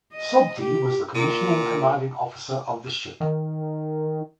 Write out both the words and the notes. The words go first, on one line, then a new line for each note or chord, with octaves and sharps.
Sobti was the commissioning Commanding Officer of the ship.
D#5
G4
A#2
D#3